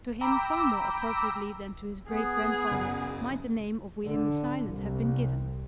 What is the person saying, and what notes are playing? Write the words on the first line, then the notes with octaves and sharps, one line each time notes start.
To him far more appropriately than to his great-grandfather might the name of William the Silent have been given.
G5 A#5 B5 D6 E6
B3 G#4
F#2 C#3
D3
C2